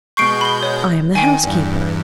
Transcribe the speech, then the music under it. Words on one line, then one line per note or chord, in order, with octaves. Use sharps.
"I am the housekeeper."
B2 G#3 C#6 G6 C7 D7
B5 G7
C#5
D#3 G5 G#5
E2 G2